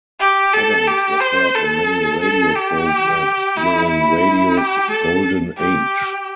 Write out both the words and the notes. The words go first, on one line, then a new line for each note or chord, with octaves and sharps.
Adams was heard on many radio programs during Radio's Golden Age.
G4
A4
G4
C5
A4
A4
G4
E4
E4
G4
A4
G4